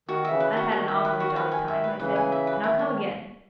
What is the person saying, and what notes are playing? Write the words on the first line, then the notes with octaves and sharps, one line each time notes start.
"I've had an awfully jolly time," I said, "and I'll come again."
D#3 F#4
E5
C#3 E3
B4
D#3
F#4
D#3 F#4
E5
B4
F#4
B4
G#5
E5
B4
C#3 E3 B4
G#5
E5
B4
D#3 E4
C#5
D#3